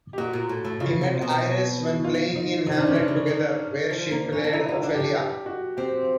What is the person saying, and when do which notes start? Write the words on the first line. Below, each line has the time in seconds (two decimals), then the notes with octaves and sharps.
He met Ayres when playing in "Hamlet" together, where she played Ophelia.
0.13 G4
0.18 A#2 F#4
0.33 A#2
0.49 A2
0.65 A2
0.80 C#3 F4
1.01 C3
1.22 B2
2.04 F4
2.35 D#4
2.67 C3 D#4
2.78 D4
2.87 C3 C#4
3.00 D4
3.08 C#3
3.29 D#3
3.90 F3
4.11 A#3
4.32 C#4
4.44 D4
4.53 D#4 E4
4.65 D#4 E4
4.74 F4
4.83 D4
4.94 G4
4.99 D4
5.15 G4
5.46 F#4
5.77 C4 G4